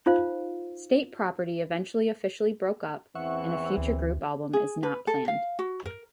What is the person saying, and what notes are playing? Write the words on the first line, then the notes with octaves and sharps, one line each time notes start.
State Property eventually officially broke up, and a future group album is not planned.
D#4 F4 C5 F5
E2 E3 C4 E5 F#5 C#6
D2
G#4
B4
A4
F5
F#4
A#4